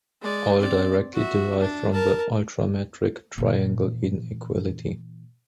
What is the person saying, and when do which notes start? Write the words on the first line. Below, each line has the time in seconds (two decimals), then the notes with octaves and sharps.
All directly derive from the ultrametric triangle inequality.
0.22 G#3 D5
0.58 C4 D5
1.13 F#4 E5
1.59 D4
1.92 A#4 A5
3.38 A#2 E3